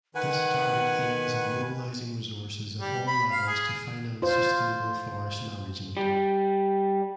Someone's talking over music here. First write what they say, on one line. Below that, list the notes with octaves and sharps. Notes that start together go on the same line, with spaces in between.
This target aims at mobilizing resources at all levels to finance sustainable forest management.
D#3 B4 F#5 G#5
G3
B5
F5
G#4
F4 C5
G3